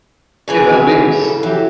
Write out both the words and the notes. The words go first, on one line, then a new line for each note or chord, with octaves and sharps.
He then leaves.
E3 G#4 C#5
B3 F#4
C#3 A4
E3 F#3 E4 G4